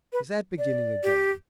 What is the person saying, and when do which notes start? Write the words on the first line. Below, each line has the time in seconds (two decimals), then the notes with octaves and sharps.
Is that beginning again?'
0.13 B4
0.58 D5
1.03 G4